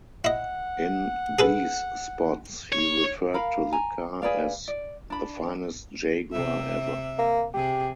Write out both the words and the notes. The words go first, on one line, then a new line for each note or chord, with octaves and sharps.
In these spots, he referred to the car as "the finest Jaguar ever".
E4 D#5 F#5
G#4 A4 B4
C#5
A#4 F5 B5
G#5 A#5
G#4 B4 D5 F5
D5
D4 B5
C3 E5
A#3
C3 G4 G#4